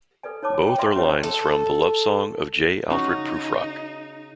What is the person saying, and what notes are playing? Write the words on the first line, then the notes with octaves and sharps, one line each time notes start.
Both are lines from "The Love Song of J. Alfred Prufrock".
A4 B4 D5 G#5
D#4 C#5 A5 D6
G#5
G5 A5
B4 D5 E5 G#5 A#5 C6
C#4 F#4 G4 B4 C#5 D#5
A4
C#3 D#4 F#4